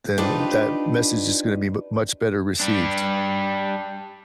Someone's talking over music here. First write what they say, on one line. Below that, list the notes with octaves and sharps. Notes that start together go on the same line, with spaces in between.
then that message is gonna be m much better received.
D4 D#4 F4 G4 B4 C5
G3 D4